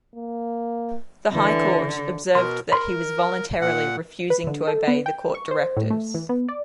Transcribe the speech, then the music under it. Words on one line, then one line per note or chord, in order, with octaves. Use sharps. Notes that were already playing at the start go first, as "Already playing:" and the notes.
The High Court observed that he was voluntarily refusing to obey the court directives.
A#3
D3 E3
B2 A#4 C6
A#4 B5 C6
A#2 F#5
B4
D3
A4
B3
G5
C#6
C5
A2
A3
E3
B3
D5